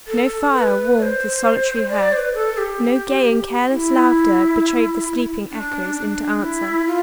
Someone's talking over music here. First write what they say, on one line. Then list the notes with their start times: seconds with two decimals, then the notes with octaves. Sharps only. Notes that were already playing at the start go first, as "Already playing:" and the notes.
No fire warmed the solitary hearth, no gay and careless laughter betrayed the sleeping echoes into answer.
0.08 A4
0.54 B4
0.98 D5
1.02 C5
1.89 D5
2.12 C5
2.17 B4
2.34 A4
2.58 G4
3.70 E4
5.50 D4
5.96 D4
6.41 E4
6.87 F4